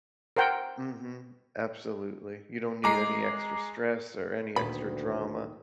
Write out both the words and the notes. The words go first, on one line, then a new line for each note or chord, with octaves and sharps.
Mhm, absolutely, you don't need any extra stress or any extra drama
A#4 C5 F#5 G5
G#3 A#5 D6 C7
D2 A#2 D#3 B4 B5